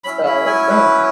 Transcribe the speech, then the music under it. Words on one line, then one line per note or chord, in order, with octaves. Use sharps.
so, yeah, you could
F#3 C#4 E4 B5
B5
G#5
B4